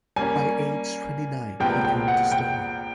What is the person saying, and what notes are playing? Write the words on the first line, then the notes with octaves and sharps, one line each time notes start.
By age twenty-nine he owned the store.
G3 A#3 C#4 G#5
C2 A#2 F3 G#3 B3 G5
G5
F#5
G5